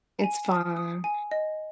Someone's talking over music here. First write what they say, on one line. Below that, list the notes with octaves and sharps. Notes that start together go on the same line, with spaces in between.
It's fine.
G#5
D#6
D#6
G#5
D#5